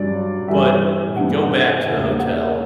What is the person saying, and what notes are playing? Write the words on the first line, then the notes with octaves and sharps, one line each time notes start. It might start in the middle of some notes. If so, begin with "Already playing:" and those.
but we go back to the hotel,
Already playing: G2 F#3 C#4 D5
G2 E3 G3 E5
G2 E3 B3 D4 F#5
E2 C#3 E3 A#3 E5
F#5
E5
C#5
A#4